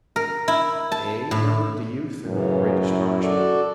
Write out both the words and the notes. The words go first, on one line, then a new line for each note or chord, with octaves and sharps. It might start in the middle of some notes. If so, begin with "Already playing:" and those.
"Eh?" murmured the youth in great astonishment.
A#4
E4
A5
A2
F#2 A2 C#3 E3
E4
F#4 A4 D5